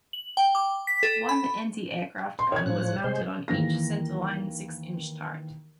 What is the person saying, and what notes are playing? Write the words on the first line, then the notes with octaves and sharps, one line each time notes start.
One anti-aircraft gun was mounted on each center-line six-inch turret.
F#7
G5
D6
B6
A4
B5
C6
C#5 G#6
A2 F3 F#6
C3 G#3 C5
D#2 E3 A#3 A#6